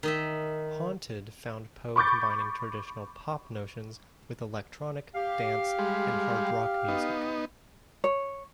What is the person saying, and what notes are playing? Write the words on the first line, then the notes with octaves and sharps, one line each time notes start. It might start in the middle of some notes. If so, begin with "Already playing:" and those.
"Haunted" found Poe combining traditional pop notions with electronic, dance and hard rock music.
D#3 D#5 E5
B5 C#6 D6 G6 A6
G4 F5
G3 G#3
B3 D#4
C#5